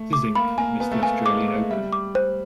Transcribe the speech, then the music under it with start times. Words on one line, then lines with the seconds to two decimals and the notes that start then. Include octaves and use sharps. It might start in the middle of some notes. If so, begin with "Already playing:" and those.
Czink missed the Australian Open.
Already playing: A3
0.13 D6
0.35 A#3 B5
0.58 A#3 G#5
0.80 B3 G#5
0.92 A3
1.02 A#3 G#5
1.25 G#3 D6
1.48 D6
1.71 G3 E5
1.93 D6
2.15 C5